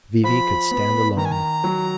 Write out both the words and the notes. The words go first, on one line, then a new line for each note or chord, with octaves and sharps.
V.V. could stand alone.
F3 B5
B3
D#3 A#5
G#5
A#5
F#3